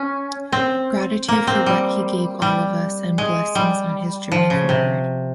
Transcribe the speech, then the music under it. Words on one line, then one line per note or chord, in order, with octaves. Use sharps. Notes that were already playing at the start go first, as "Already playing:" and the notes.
Gratitude for what he gave all of us and blessings on his journey forward.
Already playing: C#4
C4
A#3
C4
G3
G3
G#3
G3
F3
C#3
C3